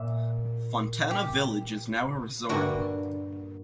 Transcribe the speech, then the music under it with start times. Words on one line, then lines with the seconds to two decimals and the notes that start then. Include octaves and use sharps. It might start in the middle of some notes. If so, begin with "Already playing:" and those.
Fontana Village is now a resort.
Already playing: A#2 A#3 E5
1.11 G4
2.49 G2 D3 A#3 F#4